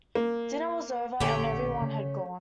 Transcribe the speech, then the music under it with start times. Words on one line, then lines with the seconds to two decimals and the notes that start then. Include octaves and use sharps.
Dinner was over, and every one had gone.
0.15 A#3
1.20 A1 A#2 D3 A3 A#3 C#4 G4
1.82 C#3